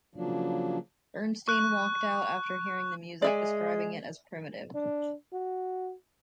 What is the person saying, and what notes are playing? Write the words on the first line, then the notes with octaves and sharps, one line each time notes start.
Bernstein walked out after hearing the music, describing it as "primitive".
C#3 F3 F#3 A#3 D4
C#6 F#6
G#3 D5 E5 G#5
D4
F#4